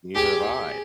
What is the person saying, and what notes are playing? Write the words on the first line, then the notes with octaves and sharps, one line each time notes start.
Neither have I.
G4 G#4
G#4